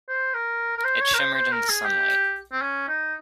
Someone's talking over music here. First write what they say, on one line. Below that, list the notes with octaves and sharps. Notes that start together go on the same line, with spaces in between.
It shimmered in the sunlight.
C5
A#4
A#4
C5
C#5
A#4
C5
C5
A#4
G#4
G4
C4
C#4
D#4